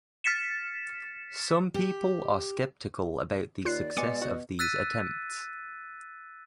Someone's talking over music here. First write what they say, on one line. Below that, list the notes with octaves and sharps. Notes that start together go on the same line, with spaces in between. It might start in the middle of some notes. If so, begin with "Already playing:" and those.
Some people are skeptical about the success of these attempts.
F6 A6 B6 C#7 E7
G4
D#2 F4 D5 F#6 C7
B2 G#3 G#5 D6 C#7
F#4
E6 F#6 A6 B6 D#7